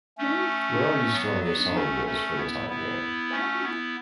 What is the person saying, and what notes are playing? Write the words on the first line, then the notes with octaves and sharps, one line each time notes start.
Where are you storing your summer wheels for the time being?
A3 C#4
F#3 B3
F#3 B3
A3 C#4
A3 C#4
B3 E4
B3 E4
A3 C#4
B3 E4